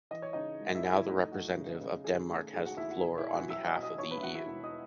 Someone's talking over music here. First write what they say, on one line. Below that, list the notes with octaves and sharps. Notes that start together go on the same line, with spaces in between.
And now the representative of Denmark has the floor on behalf of the EU.
E3 D#5
C#5
C#3 D#4 D#5
G#3
D#5
E4 E5
F#2
E4 E5
A3 D#4 D#5
A3 F#4
C#3
C#3
D#3 G#4
A3
D#2 G#4
F#4 F#5
D#2 E4 E5
F#4
B2 G#4
E4 E5
B2 G#5
F#4 F#5
F#3 E5 E6
D#5 D#6
B2
D#5 D#6
D#2 C#5 C#6
B4 B5
E5
D#2 F#4 F#5
E4 E5
E1
D#5 D#6